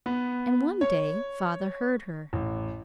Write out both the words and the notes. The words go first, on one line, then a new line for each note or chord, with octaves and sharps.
And one day father heard her.
B3
C#5
A1